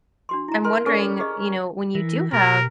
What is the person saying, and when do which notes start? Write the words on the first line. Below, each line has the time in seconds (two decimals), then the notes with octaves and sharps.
I'm wondering, you know, when you do have
0.29 D4 F#4 C6
0.48 E4 A#5
0.65 A#4 C6
0.86 C#4 A4 A#4 D5
1.19 G4 G#4 D#5
1.95 E3 E4 A#4
2.33 B2 G4 A#4